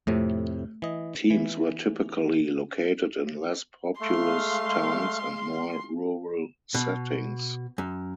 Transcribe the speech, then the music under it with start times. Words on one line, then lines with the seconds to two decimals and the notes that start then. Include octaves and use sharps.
Teams were typically located in less populous towns and more rural settings.
0.07 F2 A2 C3 A3
0.82 E3 D#5
1.30 E3
4.01 G#3 A3 F5 C6
6.74 B2
7.78 F#2